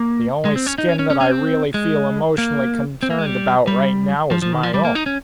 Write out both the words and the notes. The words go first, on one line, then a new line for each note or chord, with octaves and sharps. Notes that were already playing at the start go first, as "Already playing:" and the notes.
The only skin that I really feel emotionally concerned about right now is my own.
Already playing: A#3
G#3
C4
C#4
D#4
C#4
C#4
C#4
C#4
C4
G#3
A#3
C4
A#3
G#3
G3
G3
F3
F3
D#3
F3
G3
A#3
D#4
C#4